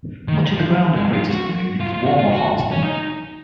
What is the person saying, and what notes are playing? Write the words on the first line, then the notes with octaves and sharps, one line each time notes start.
Much of the ground at Craters of the Moon is warm or hot.
D#3
F3
G#3
F4
F#4
F4
F4
F#4
F4
F#4
C#4
D#4